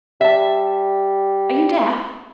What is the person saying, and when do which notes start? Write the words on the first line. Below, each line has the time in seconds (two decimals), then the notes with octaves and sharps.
"Are you deaf?"
0.21 G3 E5 A5